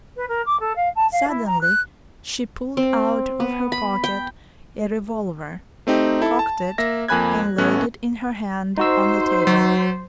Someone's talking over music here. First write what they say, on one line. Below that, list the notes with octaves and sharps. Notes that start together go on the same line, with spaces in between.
Suddenly she pulled out of her pocket a revolver, cocked it and laid it in her hand on the table.
B4
A#4
D6
A4
F5
A5
F5
E4
A#5
F#6
C4
B3
B5
G5
A3 C4 D#4 G4
E4 A4
A5
A#3 E5 A#6
F2 A#3 G#5 B5 F#6 G#6
A1 A3 B3 C#4 C#5 F#6
D#4 F#4 C5 E6
F#3